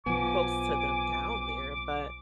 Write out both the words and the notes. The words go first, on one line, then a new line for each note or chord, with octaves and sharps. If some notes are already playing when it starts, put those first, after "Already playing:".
close to them down there. But,
B1 F3 B3 G#5 D6